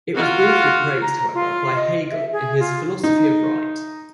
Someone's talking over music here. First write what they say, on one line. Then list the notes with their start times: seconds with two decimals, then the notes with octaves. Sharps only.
It was briefly praised, however, by Hegel in his Philosophy of Right.
0.15 F4 F#4
1.02 A#5
1.34 F4
1.76 D#5
2.11 E5
2.32 G#4
2.60 F4
3.03 D#4